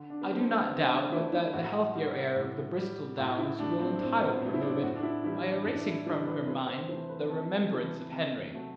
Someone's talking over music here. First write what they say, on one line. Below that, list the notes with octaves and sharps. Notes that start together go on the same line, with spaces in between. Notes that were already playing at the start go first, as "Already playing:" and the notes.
I do not doubt but that the healthy air of the Bristol downs will intirely remove it, by erasing from her Mind the remembrance of Henry.
Already playing: D3
D4
B3
F#3 A3 C4
B3
D3 C4
D4
F#3 A3 E4
E4
A2 F#4
G3
A2
G3
A2 F#4
E4
F#3 A3 D4
C4
A2 C4
B3
F#3 A3 C4
E4
D4
A2 F#4
D4
E4
E3 G3 E4
D4
A2 D4
E4
E3 G3 D4
B4
C3 B4
C5
E3 A3 C5
B4
C3 A4
E3 A3
C3
F#3 A3